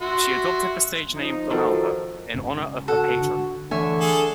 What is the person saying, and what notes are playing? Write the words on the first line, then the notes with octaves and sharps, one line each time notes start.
She adopted the stage name Donalda in honour of her patron.
F#4 E5 C6
F3 D#4
D#3 F3 F#4 A4
G#2 C#3
F#4 A4 F#5
D3
D3 E3 A3 C#5 E5 G#5
G#4 A4